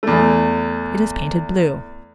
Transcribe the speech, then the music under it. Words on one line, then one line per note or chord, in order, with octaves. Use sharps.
It is painted blue.
E2 A3